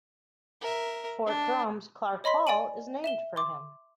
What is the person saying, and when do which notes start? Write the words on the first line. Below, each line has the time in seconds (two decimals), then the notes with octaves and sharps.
Fort Drum's Clark Hall is named for him.
0.61 A#4 E5
1.26 D4
2.24 C#5 D#5 B5 C6 B6
2.47 D5 G#5 D7 D#7 F#7
3.04 E5 E7 G7
3.36 C6 D6